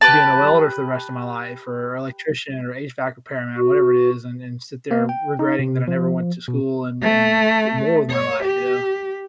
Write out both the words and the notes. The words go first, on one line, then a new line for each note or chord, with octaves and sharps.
being a welder for the rest of my life or electrician or HVAC repairman or whatever it is, and and sit there regretting that I never went to school and and, do more with my life, you know?
G4 B4 A5
F#4
A#3
G5
D#4
C3
F3
B2
A3
C#5
G4